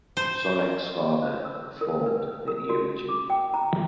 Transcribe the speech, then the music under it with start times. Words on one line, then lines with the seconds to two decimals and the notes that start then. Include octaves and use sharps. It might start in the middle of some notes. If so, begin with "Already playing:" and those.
Sorek’s father performed the eulogy.
0.17 C5
1.22 C5
1.45 E6
1.81 A#4
2.06 B4
2.48 A#4
2.69 F#4
3.09 D6
3.30 G5
3.54 A#5